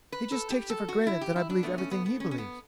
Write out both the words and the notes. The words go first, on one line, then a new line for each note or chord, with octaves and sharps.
He just takes it for granted that I believe everything he believes.
B4
A4
G4
A4
F#4
E4
G4
E4
D4
B2 A3 B3
C#4
B3
B3
C#4
C#4
B3